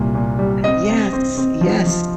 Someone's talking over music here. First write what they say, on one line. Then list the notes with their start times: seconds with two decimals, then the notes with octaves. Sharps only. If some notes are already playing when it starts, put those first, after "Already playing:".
Yes, yes.
Already playing: C2 A#2 G3
0.15 A#2
0.39 G3
0.64 C4 D#5
0.88 C4
1.13 C4
1.38 C4
1.61 F3
1.86 F3